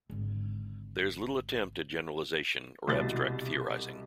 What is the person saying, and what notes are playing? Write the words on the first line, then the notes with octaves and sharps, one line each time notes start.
There's little attempt at generalization or abstract theorizing.
G#1 D3
C2 B2 A6